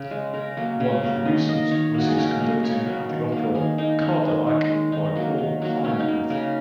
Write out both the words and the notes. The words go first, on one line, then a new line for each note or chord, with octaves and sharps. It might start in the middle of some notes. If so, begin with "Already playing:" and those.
One of the reasons was his conducting of the opera "Cardillac" by Paul Hindemith.
Already playing: C#3
G#3
C#3 A#4
F#3 A#3
C#3
F#3 A#3
D#3 D#5
A#3 D#5
D#3 C#5
A#3 F#4
G#4
C#3 A#4
F#3 A#3 D#5
C#3 C#5
F#3 A#3
D#3
A#3
D#3 G#4
A#3 D#4
D#3 C#4
G#3
D#3
G#3
D#3 D#4
F#3 A#3
D#3
F#3 A#3
C#3 C#4
D#4
A#3
C#3 A#4